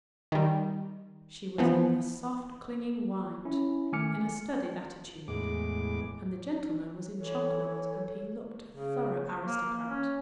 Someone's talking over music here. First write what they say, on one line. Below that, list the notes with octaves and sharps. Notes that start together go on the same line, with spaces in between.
She was in a soft clinging white in a studied attitude and the gentleman was in chocolate and he looked a thorough aristocrat.
D#3 G3
E3 F3 B3
C#4 E4
D#3 A3 G#5 D6 F6 C#7
E2 A2 G#3 D6
E3 A4 C#5
C#3
A#3
C#4